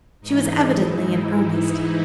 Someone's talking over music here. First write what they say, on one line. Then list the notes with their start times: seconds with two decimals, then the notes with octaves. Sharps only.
She was evidently in earnest.
0.21 G#2 E3 D#4
0.77 E4